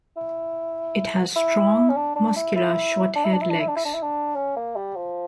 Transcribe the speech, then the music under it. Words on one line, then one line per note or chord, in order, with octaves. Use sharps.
It has strong, muscular, short-haired legs.
E4
E4
C#4
D4
D4
E4
E4
D4
E4
D4
E4
D4
E4
D4
E4
D4
E4
D4
C#4
A#3
G3
F3